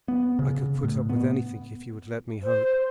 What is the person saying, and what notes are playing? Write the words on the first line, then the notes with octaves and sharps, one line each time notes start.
I could put up with anything if you would let me hope.
B3
C#3
A2
B3
C5